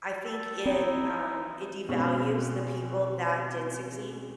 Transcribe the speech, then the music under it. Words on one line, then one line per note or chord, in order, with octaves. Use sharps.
I think it, um, it devalues the people that did succeed.
A4
C4 D#4 E4
B2 G#3 C4 C#4